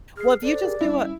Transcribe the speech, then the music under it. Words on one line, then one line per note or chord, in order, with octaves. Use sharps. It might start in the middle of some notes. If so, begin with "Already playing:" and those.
Well, if you just do a
G#4 F6 C7
A4 C5 D5
G4 G#4 A#4
G3 C#4 E4